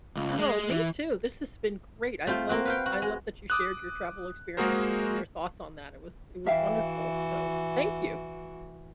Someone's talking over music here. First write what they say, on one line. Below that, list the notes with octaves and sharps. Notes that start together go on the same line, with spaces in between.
Oh, me too, this has been great. I love I love that you shared your travel experiences and your thoughts on that. It was it was wonderful. So thank you.
C#2
G#3
E3
A3 C4 F4 C5
A#3 C4 F#4
B4 F5 G5
F#4
G#3
D6 D#6 F#6
G#3 A#3 F#4 G#4 A#4 C5
E3 F#4 E5 F5 G5